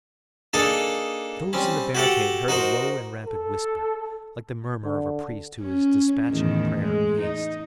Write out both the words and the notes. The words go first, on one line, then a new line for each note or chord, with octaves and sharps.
Those in the barricade heard a low and rapid whisper, like the murmur of a priest who is despatching a prayer in haste.
A#3 D4 D#4 G#4 A4
G3 C4 C#4
F#4 G4 A4 F#5
D#4 F#4 A#4 C5
A4
D3
C#4
E2 A2 D#3
G#3
D#4